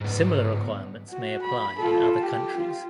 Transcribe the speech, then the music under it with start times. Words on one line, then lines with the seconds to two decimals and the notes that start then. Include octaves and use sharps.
Similar requirements may apply in other countries.
0.01 G#2 B3
1.10 F#4
1.42 B5
1.79 F4 A4
2.22 G4
2.57 F4